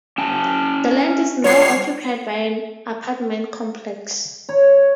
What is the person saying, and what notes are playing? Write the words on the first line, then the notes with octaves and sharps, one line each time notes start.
The land is now occupied by an apartment complex.
C#4 G5 A5
G3 F4 C#5 C7
C#5